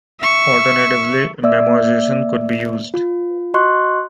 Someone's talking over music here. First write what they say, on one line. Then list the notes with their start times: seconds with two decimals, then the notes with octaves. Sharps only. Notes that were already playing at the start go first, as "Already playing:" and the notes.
Alternatively, memoization could be used.
0.20 E5 C#6
1.43 A#3 D5 E5 E6
2.94 F4
3.54 F#4 D#5 C6 C#6 F#6